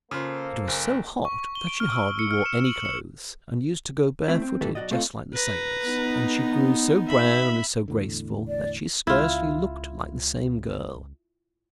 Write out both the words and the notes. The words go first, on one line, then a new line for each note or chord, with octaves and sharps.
It was so hot that she hardly wore any clothes, and used to go barefooted just like the sailors; and she grew so brown and so graceful that she scarcely looked like the same girl.
C#3 A#3 F4 A4 C5
F#1
C#6
G7
D7
F6
E6
C#7
F6
E7
F#7
C#7
A3 C4 E4
C4
D#3 E3 G3 A3 A4 B4
B1 C#3 F#4 D5 D#5
A3 C4 F4 A4 D#5 F5
B4 A#5
B3 D#4
E5 B5
E2 A2 D3
D5
C#2 E4 F4